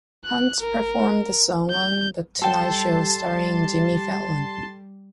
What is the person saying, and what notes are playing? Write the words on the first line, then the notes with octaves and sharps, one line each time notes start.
Hunt performed the song on "The Tonight Show Starring Jimmy Fallon".
F#6
A#4
G6
G3 A4 G5 A5 C6